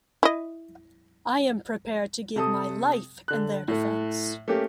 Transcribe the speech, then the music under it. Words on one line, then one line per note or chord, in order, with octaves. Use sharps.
I am prepared to give my life in their defense.
E4 D#5
C3 A4 D#6
D3 F#6
A2 A3
A3 A#3 C#4 G4